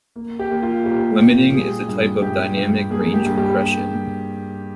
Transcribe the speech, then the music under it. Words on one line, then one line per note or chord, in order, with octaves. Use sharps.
Limiting is a type of dynamic range compression.
A#3
G4
A#3
F4
A#2 G4
A#2
G3 G#4
G2
G2 G4
G2
A#3 G#4
G4
G2
G4